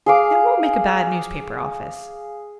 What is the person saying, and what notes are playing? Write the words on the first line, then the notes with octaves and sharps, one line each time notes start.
It won't make a bad newspaper office.
G#4 F5 D6